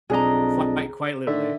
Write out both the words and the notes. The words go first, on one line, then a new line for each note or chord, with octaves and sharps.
Quite quite literally.
B1 F2 D4 G#4 D#5 A#5
D3 D#3 E5